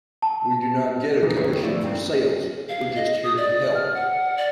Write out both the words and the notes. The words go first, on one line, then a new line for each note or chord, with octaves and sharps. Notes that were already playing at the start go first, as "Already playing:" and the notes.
We do not get a commission for sales, we're just here to help.
A5
D3 E3 A#3 D#4
F#3 D#4 E4 G#4 B4 C#5
D#3
D3 F3 A3 E4 D5 E5
G2 A#2 F3 C4 D4
F5
D#5
D#6
D5
F6
F#5
D5